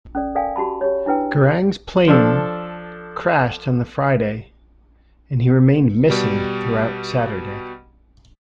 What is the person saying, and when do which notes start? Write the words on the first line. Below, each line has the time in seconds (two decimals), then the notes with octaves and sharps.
Garang's plane crashed on the Friday and he remained 'missing' throughout Saturday.
0.15 C#4 A4 D5
0.35 A4 A#4 D5 F5 G5 G#5
0.56 F#4 G4 A5 B5
0.81 G4 C#5
1.06 D4 E4 B4 G5 E6
2.08 F3 D4 A4
6.10 B2 G3